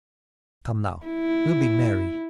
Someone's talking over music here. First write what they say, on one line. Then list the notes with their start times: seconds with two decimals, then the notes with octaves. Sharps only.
Come now, we'll be merry.
1.07 E4